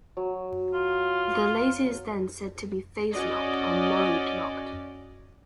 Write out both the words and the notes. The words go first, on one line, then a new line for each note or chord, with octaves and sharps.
The laser is then said to be 'phase-locked' or 'mode-locked'.
F#3
F4
C#4 F#4 D5 D#5